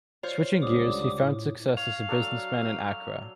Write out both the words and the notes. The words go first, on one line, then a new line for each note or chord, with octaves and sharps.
Switching gears, he found success as a businessman in Accra.
F4 C5 C#5
C#2 D3 G3 D6 D#6
A2
C#5 F5 F7
F#3 D4 A4